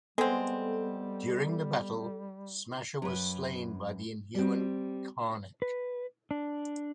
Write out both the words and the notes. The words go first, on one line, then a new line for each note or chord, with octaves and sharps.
During the battle, Smasher was slain by the Inhuman Karnak.
G3 G#3 B3 C4 A4 F#5
F#2 B4
G3 C4
B4
D4